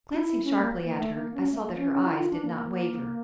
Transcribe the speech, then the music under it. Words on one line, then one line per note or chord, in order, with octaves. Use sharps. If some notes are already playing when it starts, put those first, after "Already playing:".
Glancing sharply at her, I saw that her eyes did not waver.
F4
E4
C#4
A#3
A#3
A3
A#3
C#4
A3
A#3
C#4
C#4
E4
F4
D4
A#3
A#3